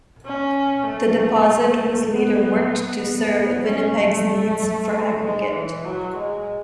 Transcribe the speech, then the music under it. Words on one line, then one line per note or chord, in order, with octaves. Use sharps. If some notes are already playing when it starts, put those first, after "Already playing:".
The deposit was later worked to serve Winnipeg's needs for aggregate.
C#4
A3
B3
B3
C#4
A3
G#3
E3
F#3
G#3